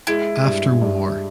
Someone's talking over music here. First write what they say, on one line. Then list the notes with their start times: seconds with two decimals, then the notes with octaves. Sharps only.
After war.
0.07 G#3 E4
0.45 G2
0.82 G2